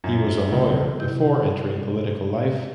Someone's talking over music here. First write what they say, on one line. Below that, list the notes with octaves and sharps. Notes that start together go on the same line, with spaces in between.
He was a lawyer before entering political life.
F#2
C#2
C3 E4 G6